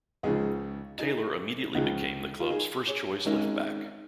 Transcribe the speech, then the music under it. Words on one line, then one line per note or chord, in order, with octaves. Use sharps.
Taylor immediately became the club's first-choice left-back.
C#2 C#3 F3 D#4 G#4
D#4 G#4
C#2 C#3 F3 D#4 G#4
F4
D#4 G#4
G#4 C#5
G#1 G#2 D#3 G#3 C#4 A#4 D#5